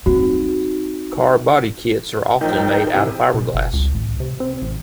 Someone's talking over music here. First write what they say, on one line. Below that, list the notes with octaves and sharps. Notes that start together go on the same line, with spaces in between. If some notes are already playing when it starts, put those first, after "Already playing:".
Car body kits are often made out of fiberglass.
C4 D#4 F#4
A1 F3 D#4 A#4 G5
C3 E4 G#4
B2
G1
C#2
A1
C3
C4
A1